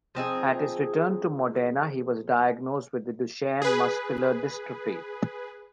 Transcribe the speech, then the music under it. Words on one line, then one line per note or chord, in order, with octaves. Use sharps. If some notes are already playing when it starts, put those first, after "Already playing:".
At his return to Modena, he was diagnosed with Duchenne muscular dystrophy.
F3 C4 D#4 G#4
G#4 B4